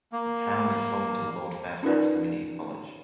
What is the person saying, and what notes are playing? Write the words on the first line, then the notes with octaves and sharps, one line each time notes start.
The town is home to Lord Fairfax Community College.
A#3
C#4 D#4 F4 A#4 B4 D5